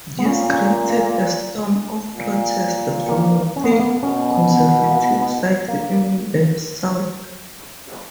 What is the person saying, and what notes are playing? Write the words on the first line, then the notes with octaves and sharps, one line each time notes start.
This created a storm of protest from within conservative circles in the South.
B3
A#2 C#4
C#4
A#3
A#3
A#2
A#3
C#4
B3
A#3
B3
B2 C#4
B3
A#3
B3
B3
A#3